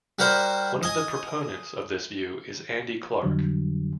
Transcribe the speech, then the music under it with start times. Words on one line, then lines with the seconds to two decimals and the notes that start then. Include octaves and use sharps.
One of the proponents of this view is Andy Clark.
0.19 G3 F#4 A#4 C5
0.83 D#5 G#5
3.23 F2 D3 F#3 G3